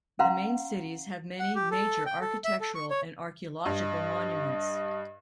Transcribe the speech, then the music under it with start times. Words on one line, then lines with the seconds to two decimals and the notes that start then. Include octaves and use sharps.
The main cities have many major architectural and archeological monuments.
0.19 C#4 B4 F5 F#5 A#5 C6
1.39 F#5
1.55 G4
1.71 A4
2.06 G5
2.21 A4
2.44 E5
2.61 A4
2.75 C#6
2.90 C#5
3.65 G2 D#5